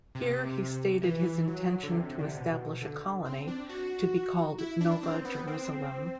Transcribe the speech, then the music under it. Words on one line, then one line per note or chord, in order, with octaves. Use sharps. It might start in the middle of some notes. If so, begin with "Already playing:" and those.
Here he stated his intention to establish a colony, to be called Nova Jerusalem.
C3
E3
F#3
D3
C3
D3
C3
B2
D3
C4
D4
F#4
E4
D4
C4
B3
C4